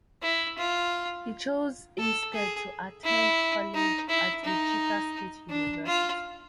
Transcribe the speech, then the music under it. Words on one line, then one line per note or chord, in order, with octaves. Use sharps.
He chose instead to attend college at Wichita State University.
E4
F4
A4
G#4
E4
D#4
E4
D#4
D4
F4